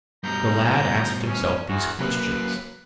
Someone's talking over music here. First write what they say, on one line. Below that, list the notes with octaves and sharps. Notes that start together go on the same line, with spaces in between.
The lad asked himself these questions.
G2 B2 A#5 G6
C#4
E2 F#4
F#3 A#3 B4